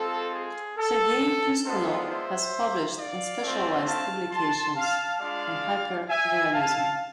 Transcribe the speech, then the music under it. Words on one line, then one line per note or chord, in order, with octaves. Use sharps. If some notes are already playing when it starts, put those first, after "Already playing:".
Sergey Piskunov has published in specialized publications on hyperrealism.
Already playing: G#3 C4 F4 A4
G#4
A4
G#3 B3 D4 F4 A4 C5
C5 E5
D5 F5
A3 C4 F4
F5 A5
A5 C6
F5 A5
G#3 D4 F4 D5 F5
E5 G#5
F5 A5